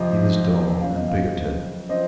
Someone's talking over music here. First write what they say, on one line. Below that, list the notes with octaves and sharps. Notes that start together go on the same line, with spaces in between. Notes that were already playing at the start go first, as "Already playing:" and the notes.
He was dull and bigoted.
Already playing: F2 C3 F3 C4 D#5
F#2 F3 C4 F5
D#5
F5
F3 C4 D#5